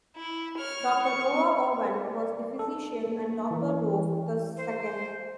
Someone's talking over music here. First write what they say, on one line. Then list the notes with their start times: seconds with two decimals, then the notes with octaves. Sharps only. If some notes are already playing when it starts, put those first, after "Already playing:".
Doctor Noah Owen was the physician and Doctor Rowe the second.
0.16 E4
0.58 C#5 F6
1.02 C#6
2.02 D5
2.59 A4
3.07 A#3
3.51 E3
4.57 C5